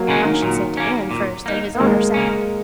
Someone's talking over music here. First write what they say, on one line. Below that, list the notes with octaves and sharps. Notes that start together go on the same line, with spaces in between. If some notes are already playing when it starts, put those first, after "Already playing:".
I should say to Ann first and His Honor second.
Already playing: F#3 A#3
C#3 G#3 C#4
D#3
A#2 F#3
A#3 C#4
A#2
A#3 D#4
A#3
D#2 G#3
C#3 A#3 C#4